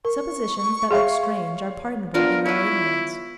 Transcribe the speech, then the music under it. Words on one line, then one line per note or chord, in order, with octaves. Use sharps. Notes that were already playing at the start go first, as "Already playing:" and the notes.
Suppositions that look strange are pardonable in our ignorance.
A#4 C#6
G#4 C#5 E5 F5 C6
B3 D4 F4 A#4
E4 B4 C#5